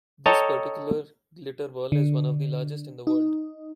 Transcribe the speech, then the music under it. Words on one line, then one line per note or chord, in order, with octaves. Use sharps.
This particular glitter ball is one of the largest in the world.
A4 C#5 D#5 G5 A5 A#5
D3
D#4